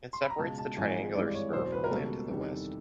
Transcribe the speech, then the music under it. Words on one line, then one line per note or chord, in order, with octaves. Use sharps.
It separates the triangular spur from land to the west.
C6
B5
A#5
C#2 B2 G#3 A5
A5
G#1 G#2 F3 G#3 G#5
G#1 G2 E3 G#3 D5
C#5
E2 B2 F#3 C5
B4
A#4
C#2 B2 G3 A#3 A4
E2 C3 D#3 G3